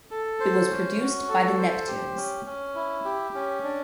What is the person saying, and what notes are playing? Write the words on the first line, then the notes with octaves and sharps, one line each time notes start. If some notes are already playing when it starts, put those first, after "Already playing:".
It was produced by The Neptunes.
A4
C5
C#4
F#4
A4
C5
G4
C#4
C#4
E4
G4
C#4
D4